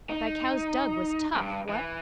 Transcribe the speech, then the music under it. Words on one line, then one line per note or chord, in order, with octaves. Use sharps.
Thy cow's dug was tough, what?
D#4
G2
E3